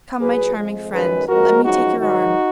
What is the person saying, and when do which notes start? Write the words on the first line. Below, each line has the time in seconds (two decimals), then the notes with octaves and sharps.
Come, my charming friend, let me take your arm.
0.20 A#2 F#3 G#4 B4
0.55 F2 F3 G#3
0.91 F#2 D#3 G#3 G#4 B4
1.27 F2 F3 G#3 F#4 A#4
1.63 F#2 F3 G#3 D#4 F#4
1.99 G#2 D#3 F#3 D#4 F#4